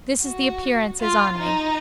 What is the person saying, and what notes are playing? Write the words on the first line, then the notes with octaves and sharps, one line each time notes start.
This is the appearance is on me.
F#4
F4
D#4